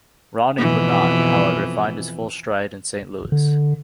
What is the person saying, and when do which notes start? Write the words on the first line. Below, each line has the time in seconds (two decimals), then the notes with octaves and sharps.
Ronning would not, however, find his full stride in Saint Louis.
0.58 F2 B2 E3
3.32 D3